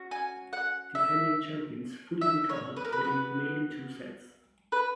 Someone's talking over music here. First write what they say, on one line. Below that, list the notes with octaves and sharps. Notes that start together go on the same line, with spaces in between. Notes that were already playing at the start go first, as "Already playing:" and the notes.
Defending champions fully recovered winning remaining two sets.
Already playing: C#4 F#4
G#5
F#5
E5
E5
C#5
B4
A#4
B4
B3 F#4
B4